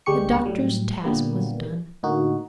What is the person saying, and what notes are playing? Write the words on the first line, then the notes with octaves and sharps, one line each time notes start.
The doctor's task was done.
D2 G3 G#3 G4 C#6 C#7
A2 F#3 G3
A#2 D3 G3 A#3 B3
A2 D3 A#3 D#4 F#4